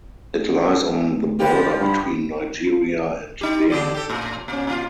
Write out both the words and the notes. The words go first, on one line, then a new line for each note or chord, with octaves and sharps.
It lies on the border between Nigeria and Benin.
D3 F3 G4 B4
G2 B5
D#4 G4
D3 G4 D5
G4 A4
A2
A#2 C#4
A#2 F4